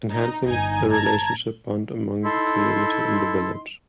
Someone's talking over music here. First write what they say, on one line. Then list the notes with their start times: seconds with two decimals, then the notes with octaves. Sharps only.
Enhancing the relationship bond among the community in the village.
0.11 D#4
0.45 G1 D#4 G#5
0.90 A5 A#5 G#6
2.25 D#4 E4 A4 C6